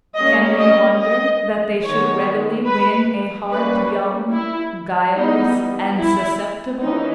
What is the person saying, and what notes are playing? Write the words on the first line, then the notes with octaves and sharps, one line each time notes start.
Can we wonder that they should readily win a heart young, guileless, and susceptible?
G3 A#3 C#4 D#5
D#5
D#5
D#3 G#3 B3 C#5
B4
G3 A#3 C#4 B4
E4
E3 G3 B3 D#4
E4
E3 A#3 C#4 D#4